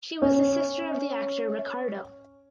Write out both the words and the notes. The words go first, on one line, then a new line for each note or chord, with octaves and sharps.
She was the sister of the actor Ricardo.
C#4